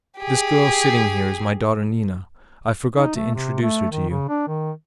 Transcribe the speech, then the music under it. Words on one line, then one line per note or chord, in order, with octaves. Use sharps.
This girl sitting here is my daughter Nina; I forgot to introduce her to you.
G4 G#4
D#4
A3
C3
A3
D#3
C#3
D4
D#3